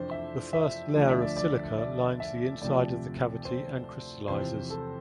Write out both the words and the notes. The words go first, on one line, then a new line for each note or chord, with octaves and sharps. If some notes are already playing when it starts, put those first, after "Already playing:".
The first layer of silica lines the inside of the cavity and crystallizes.
Already playing: F2 C3 E3 D4 C5
E5
E5
D2 D3 F3 D5
E5
D5
D5
D5
E5
D2 C3 F3 D5
C5
E2 C3 F3 C5
A4